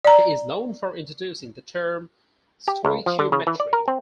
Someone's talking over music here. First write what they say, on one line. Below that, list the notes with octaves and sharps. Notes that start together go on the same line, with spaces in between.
He is known for introducing the term "stoichiometry".
D5 A#5
G4
C#2
F3
D3
C#3
E3
D5
A#4
C4